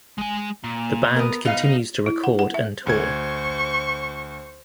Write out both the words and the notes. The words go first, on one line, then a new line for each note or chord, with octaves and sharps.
The band continues to record and tour.
G#3 G#5
A#2
B3 A#4
B2 D#4 F5
E4
F#5
F#5
E5
D2 C5 C#6 G#6